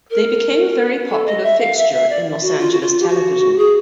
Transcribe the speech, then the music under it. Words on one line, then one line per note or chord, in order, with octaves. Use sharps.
They became a very popular fixture in Los Angeles television.
A#4
A4
D#5
E5
F5
E5
E5
D5
F#4
F4
F#4
F4
G4
F#4
G#4